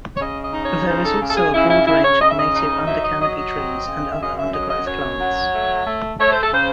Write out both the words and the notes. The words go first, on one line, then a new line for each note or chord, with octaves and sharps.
There is also a broad range of native undercanopy trees and other undergrowth plants.
C#5
C#3 D#5
D#5
D#4
C#5
C#3 C5
A4
C#3
A4
G#4
C#3 E4
E4
C#3 E4
C#5
C#3 D#5
E5
D#5
D#4
F#3 E5
D#5
F#3 D#5
D#5
C4
C#3
E5
F#2 D#5
E5
F#3 D#5
D#5
F#2 C#5
F#3
A3
A3
A3 C#5
C5
A4
C#3 C5